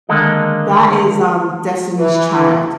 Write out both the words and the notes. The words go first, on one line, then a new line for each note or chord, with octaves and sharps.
That is, um, Destiny's Child.
D3 D#3 G#3 A#3 A4 D#5
E3